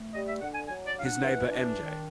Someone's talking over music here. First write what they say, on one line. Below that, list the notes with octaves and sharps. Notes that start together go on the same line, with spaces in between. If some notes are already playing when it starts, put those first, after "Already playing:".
His neighbor M. J.
Already playing: A3
G3 D#5
E5
D3 F#5
G#5
F#3 G#5
D5
D4 F5
F#5
E3
D4
D#3